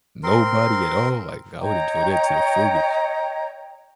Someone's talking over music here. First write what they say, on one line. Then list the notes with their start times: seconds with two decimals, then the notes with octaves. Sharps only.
Nobody at all, like I would enjoy that to the fullest.
0.23 C4 A#4 C6
1.59 C#5 D#5 G5 A#5